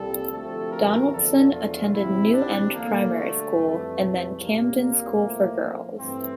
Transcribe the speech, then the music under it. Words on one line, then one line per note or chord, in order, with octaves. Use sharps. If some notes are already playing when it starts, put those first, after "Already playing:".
Donaldson attended New End Primary School and then Camden School for Girls.
Already playing: C2 A#2 G3 A4
D2 C3 F3 A3 A4
A#4
E2 D3 F3 A3 A4
F4
C2 C3 E3 E4
D4
D2 D3 G3 A#3
A3
F2 E3 G3 A3
A3
C2 A#2 G3 A#3
A2 F3 A3
G2 E3 A3 C4